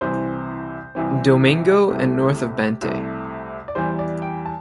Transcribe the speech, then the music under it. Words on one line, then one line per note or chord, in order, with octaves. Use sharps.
Domingo and north of Bantay.
C2 C3 E3 C4 C5
C2 C3 E3 C4
C2 C3 A3 G4
C2 C3 A3
D5
E2 E3 G3 C5
D5
G5
A5